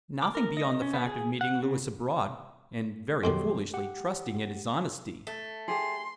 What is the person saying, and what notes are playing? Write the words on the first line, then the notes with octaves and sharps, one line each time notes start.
"Nothing beyond the fact of meeting Lewis abroad, and very foolishly trusting in his honesty."
D6
A#4
D#5
C#4
B3
G#4
F#5
C#3
F2 B2 D#3 F#3 G4 C6
G4 F#5
A3
G4 G#4 C6